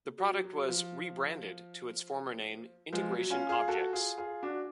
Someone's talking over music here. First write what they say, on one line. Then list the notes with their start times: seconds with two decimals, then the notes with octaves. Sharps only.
The product was re-branded to its former name "Integration Objects".
0.18 F#3
0.44 F#3
0.68 F3
2.93 F3 G#3
3.12 F#3
3.30 C#4 F4
3.49 F4 G#4
3.68 F#4 A4
3.93 F4 G#4
4.18 F4 G#4
4.43 D4 F#4